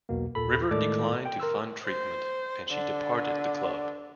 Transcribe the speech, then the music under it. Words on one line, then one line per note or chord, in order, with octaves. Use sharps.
River declined to fund treatment and she departed the club.
B1 E2 B2 A#3
D#2 A#2 A4 B5
A2 D#3 G#3 A4 D5 D6
G5
A#4 C6 E6
C5
D3